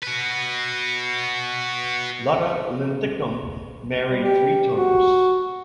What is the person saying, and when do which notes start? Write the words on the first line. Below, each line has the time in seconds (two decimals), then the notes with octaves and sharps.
Lotta Linthicum married three times.
0.02 F#4 B4
4.11 G3
4.25 G4
4.76 F#4